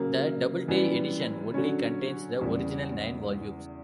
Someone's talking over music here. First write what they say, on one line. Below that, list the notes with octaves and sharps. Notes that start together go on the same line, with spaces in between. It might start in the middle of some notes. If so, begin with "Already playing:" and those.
The Doubleday edition only contains the original nine volumes.
Already playing: C#3 F#3 A#3
F#2 E3 G3 B3
D3 F#3 C#4
E2 C#3 G3